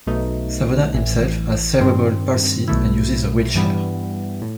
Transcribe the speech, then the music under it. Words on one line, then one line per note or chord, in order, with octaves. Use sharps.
Savona himself has cerebral palsy and uses a wheelchair.
B1 B2 A3 D#4
A1 A2 E3
G2 D#3 G3 C4
B1 B2 A3 E4
G2 E3 G3 B3
A2